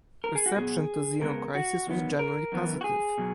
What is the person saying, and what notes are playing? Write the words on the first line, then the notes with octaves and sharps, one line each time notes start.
Reception to Xeno Crisis was generally positive.
A#4
G#4
F#4
B2 F#3 B3 G#4
C#3 G#3 B3 A#4
F#4
E2 D#3 F#3 B3
A#4
F#2 E3 B3
F#4
G#4
B2 F#3